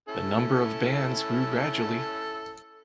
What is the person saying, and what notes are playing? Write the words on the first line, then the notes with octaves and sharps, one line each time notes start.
The number of bands grew gradually.
C#4 E4 A4